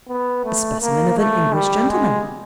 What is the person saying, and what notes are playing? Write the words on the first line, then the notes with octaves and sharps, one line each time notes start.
"A specimen of an English gentleman."
B3
A3
A#3
A3
G3
G#3